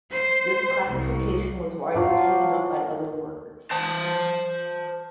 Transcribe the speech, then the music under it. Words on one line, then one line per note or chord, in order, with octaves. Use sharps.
This classification was widely taken up by other workers.
C5
C2
F#3 D4 F4 C5 F5
C5 A5